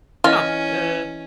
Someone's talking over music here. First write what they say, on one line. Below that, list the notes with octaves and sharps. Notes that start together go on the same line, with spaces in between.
not eh
E3 C#4 F4 D#5 F6